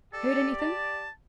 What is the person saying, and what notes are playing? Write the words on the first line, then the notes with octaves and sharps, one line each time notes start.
Heard anything?'
G4 A4 D5
A5